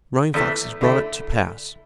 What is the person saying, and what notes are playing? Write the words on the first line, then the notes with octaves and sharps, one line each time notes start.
Running Fox has brought it to pass.
E2 E3 A3
D3 A3 E4